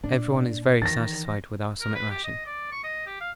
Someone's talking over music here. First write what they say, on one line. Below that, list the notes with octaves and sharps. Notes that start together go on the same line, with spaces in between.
Everyone is very satisfied with our summit ration.
A#2 D4
D#3 E3 A6 A#6
A#4
B4
G4
D#5
D5
C#6
D#5
G4
F5